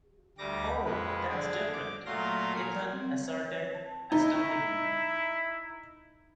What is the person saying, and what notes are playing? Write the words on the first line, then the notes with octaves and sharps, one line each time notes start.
"Oh, that's different," Ethan asserted astoundingly.
D2 G3 D6 A#6
F2 G#3 B4
D3 G#4 D5
D6
A#2 F#3 A3 F5 C6 A#6
A#4 G#5
C4
C#5
A5
D#4 E4